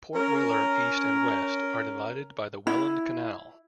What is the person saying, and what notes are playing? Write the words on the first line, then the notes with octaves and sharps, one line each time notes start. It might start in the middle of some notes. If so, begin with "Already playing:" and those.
Port Weller East and West are divided by the Welland Canal.
C#4 A#4
E4